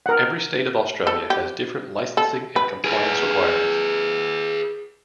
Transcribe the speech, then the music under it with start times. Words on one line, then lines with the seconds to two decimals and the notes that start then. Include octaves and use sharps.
Every state of Australia has different licensing and compliance requirements.
0.06 A#4 F#5
1.07 A4
1.30 G4
2.17 A4
2.56 B4
2.84 G#4 B4